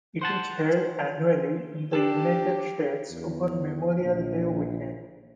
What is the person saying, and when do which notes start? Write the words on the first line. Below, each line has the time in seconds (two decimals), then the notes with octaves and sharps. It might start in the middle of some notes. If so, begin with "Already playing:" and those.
It is held annually in the United States over Memorial Day weekend.
0.21 C5 F#5 A5
1.93 D4 G4 A4
3.11 E2
4.00 A#1